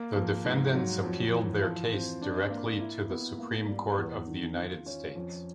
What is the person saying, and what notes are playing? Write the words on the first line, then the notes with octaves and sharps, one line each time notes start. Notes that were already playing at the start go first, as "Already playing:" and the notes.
The defendants appealed their case directly to the Supreme Court of the United States.
Already playing: A#3
F3
G#2
F#3
F2
E3
F3
C4
D4
A#3
E4
B3
A#3
G3
E2
D#3
F4
C#4
F2